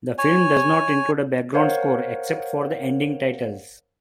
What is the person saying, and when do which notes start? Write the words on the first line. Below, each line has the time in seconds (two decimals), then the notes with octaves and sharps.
The film does not include a background score, except for the ending titles.
0.18 C#5 G#5
1.54 A#4 C5 C#5 F5 F#5